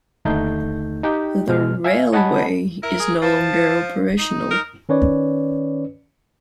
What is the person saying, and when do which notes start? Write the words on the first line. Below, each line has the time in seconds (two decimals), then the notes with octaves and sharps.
The railway is no longer operational.
0.25 D#2 D3 A3 D#4 G6
1.03 D#4 G4 G5
1.48 B2 G#3 F6
1.84 E5 F5 G#5
2.12 C#5 D#5 F#5 G#5 A5 B5
2.83 E4 A#4
3.00 G#4
3.22 F3 A5
4.18 D#4
4.51 A#4
4.89 D#3 C#4 B4 C#5 D5